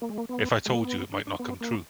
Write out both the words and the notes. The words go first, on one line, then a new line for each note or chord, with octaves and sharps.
If I told you it might not come true.
A#3
G#3
A#3
B3
G#3
A#3
B3
D4
D4
B3
A#3